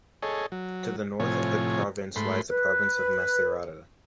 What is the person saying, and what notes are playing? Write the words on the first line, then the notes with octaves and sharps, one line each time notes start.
To the north of the province lies the Province of Macerata.
G#4 A4 C#5 D#5
F#3
A2 C3 F3 C#5 G#5
G#2 A3 B5 C6
B4